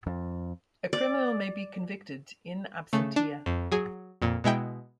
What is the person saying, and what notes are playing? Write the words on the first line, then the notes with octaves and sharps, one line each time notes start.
A criminal may be convicted "in absentia".
F2
D5
C#3 A3
D4
F2
F#3 G#4
F2 A#2
B2 G#3 E4 G5